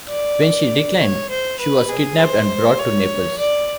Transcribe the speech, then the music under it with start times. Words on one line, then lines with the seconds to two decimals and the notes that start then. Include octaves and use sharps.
When she declined, she was kidnapped and brought to Naples.
0.09 D5
1.00 C#5
1.30 C5
1.60 B4
1.89 G#4
2.19 C5
2.79 C#5
3.38 D5